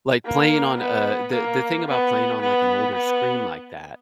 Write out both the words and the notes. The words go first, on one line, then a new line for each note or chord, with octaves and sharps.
like, playing, on, uh, the the thing about playing on like an older screen like that
A#3
B3
A#3
B3
B3
B3